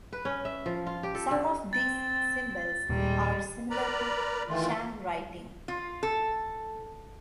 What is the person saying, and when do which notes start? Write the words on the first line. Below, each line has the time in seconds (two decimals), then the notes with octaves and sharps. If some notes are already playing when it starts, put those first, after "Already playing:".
Some of these symbols are similar to Shang writing.
0.13 B4
0.25 C#4
0.45 E5
0.66 F3
0.87 F4
1.03 G4
1.15 A4
1.31 D3
1.73 C4 A6
2.89 D#2 A#2 D#3 G3 G#3
3.70 A#4 B4 D5 A#5 B5
4.48 D#3 E3 A3 F4
5.68 F4
6.03 A4